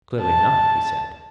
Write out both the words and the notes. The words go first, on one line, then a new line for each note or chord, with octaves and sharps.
Clearly not, he said.
A5